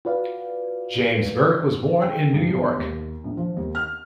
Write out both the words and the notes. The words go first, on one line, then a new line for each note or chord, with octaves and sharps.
James Burke was born in New York.
F4 F#4 B4 D5 F5
G5
G2
B1
D#2
A#1
F3
D#2
F6